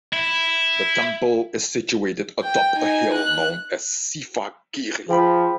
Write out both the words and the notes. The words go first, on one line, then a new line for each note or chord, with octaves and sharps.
The temple is situated atop a hill known as Sivagiri.
E4
G5
D#4 G#5
F#6
F3 G#4 G5 B5